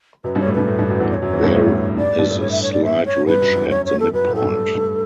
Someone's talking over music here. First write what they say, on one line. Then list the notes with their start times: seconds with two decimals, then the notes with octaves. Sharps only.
There is a slight ridge at the midpoint.
0.24 F#2 F#3 B4
0.35 G2 G3 C#5
0.46 A2 A3
0.53 G2 G3 B4
0.67 A2 A3
0.79 G2 G3
0.89 F#2 F#3
1.00 E2 E3
1.11 D5
1.14 C#5
1.22 F#2 F#3
1.33 E2 E3
1.43 G2 G3
1.54 A2 A3
1.97 G2 G3 D5
2.19 G2 G3
2.30 A2 A3
2.41 C#5
2.51 E5
2.62 C#5
2.73 D5
2.84 E5
3.06 C#5
3.27 G2 G3 B4
3.42 F#2 F#3
3.55 E2 E3
3.70 F#2 F#3 C#5
3.85 C#5
3.99 A4
4.13 F#2 F#3 B4
4.27 A2 A3
4.35 A4
4.42 G2 G3
4.57 G3
4.66 A3
4.75 G2 G3